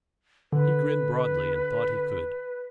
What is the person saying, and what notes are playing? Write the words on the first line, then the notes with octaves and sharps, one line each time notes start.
He grinned broadly, and thought he could.
D3 B4